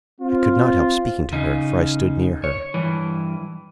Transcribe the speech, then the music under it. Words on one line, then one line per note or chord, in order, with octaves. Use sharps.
I could not help speaking to her, for I stood near her.
C4 F4
C#3 D#4
C#5
G2 E3